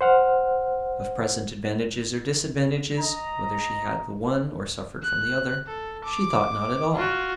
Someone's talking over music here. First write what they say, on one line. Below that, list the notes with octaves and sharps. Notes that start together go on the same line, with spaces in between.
Of present advantages or disadvantages,--whether she had the one or suffered from the other,--she thought not at all.
C5 F#5 F6
D#5 A#5
F#6
A4
D6
F4 F#4